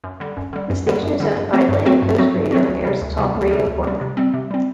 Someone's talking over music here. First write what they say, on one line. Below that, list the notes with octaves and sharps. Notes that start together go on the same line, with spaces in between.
The station is owned by Atlantic Coast Radio and airs a Talk radio format.
F#2
D3 G3
F#2
D3 G3
F#2
D3 G3
F#2
D3 G3
G2
F#3 A3 C4 F#4
G2
F#3 A3 C4 F#4
G2
F#3 A3 C4 F#4
G2
F#3 A3 C4 F#4
D2
C3 G3
D2
C3 G3
D2
C3 G3
D2
C3 G3
C3
G3 C4
C3
G3 C4